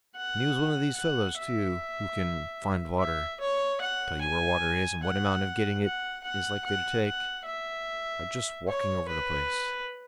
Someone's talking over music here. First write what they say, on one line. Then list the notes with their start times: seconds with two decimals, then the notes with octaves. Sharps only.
And he was one of these fellows, too, who can "find water"--tell you where water is and what amount of getting it is likely to take, by just walking over the place.
0.16 F#5
0.96 F#5
1.38 E5
2.99 E5
3.40 C#5
3.81 F#5
4.21 G#5
5.03 F#5
5.84 F#5
6.24 F#5
6.65 F#5
7.05 F#5
7.45 E5
8.68 C#5
9.08 B4